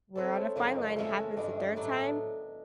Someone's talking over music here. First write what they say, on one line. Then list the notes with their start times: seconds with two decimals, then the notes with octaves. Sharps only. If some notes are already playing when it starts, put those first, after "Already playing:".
we're on a fine line. It happens a third time,
0.15 G#3 C4 E4 A4 C5
0.36 C#5
0.56 F#2 C#3 F3 A#3 D#4 D5
0.76 D#5
0.96 E3 G#3 C#4 F#4 A4 E5
1.16 E5
1.37 G2 E3 G3 D#5
1.56 D#5
1.76 A2 F#3 B3 D4